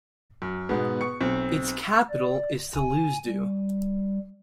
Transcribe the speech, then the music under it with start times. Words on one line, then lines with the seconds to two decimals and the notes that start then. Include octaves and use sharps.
Its capital is Thulusdhoo.
0.42 F#2
0.69 G#2 B2 B3
1.01 C#6 C#7
1.21 B1 C4
2.10 D5
2.75 G#5
3.27 G3